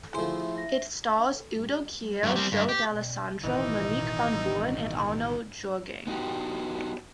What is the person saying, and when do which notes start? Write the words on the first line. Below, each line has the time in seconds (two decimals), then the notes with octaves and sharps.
It stars Udo Kier, Joe Dallesandro, Monique van Vooren and Arno Juerging.
0.14 F3 A3 E4 G#4 C5
0.56 E5 A#6
2.23 G2 F#3
2.36 G3 C4
2.52 G2
2.69 G4
3.44 A1 B2 D#3 E3 D#4 D#5
6.07 B3 D#4 F#4 G4